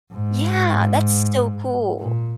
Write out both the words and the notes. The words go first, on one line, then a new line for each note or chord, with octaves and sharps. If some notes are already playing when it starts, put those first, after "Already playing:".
Yeah, that's so cool.
G#2
A#2